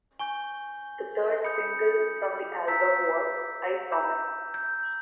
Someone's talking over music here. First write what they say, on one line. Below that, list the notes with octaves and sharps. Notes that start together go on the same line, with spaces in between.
The third single from the album was "I Promise".
G#5 C#6 G6 G7
B5 D#6 G6 C#7
A#5 E6 G6 B6
A#5 E6 G6
G6